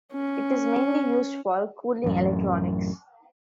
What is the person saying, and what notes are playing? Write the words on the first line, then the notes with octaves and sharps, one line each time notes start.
It is mainly used for cooling electronics.
C#4
A1 F#2